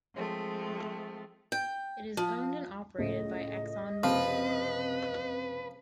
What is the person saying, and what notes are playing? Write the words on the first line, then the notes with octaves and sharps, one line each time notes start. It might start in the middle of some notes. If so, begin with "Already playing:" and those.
It is owned and operated by ExxonMobil.
F3 G#3 A3 C4
G5
F3
C#2 A2 A3 D#5
F#1 C3 F3 B4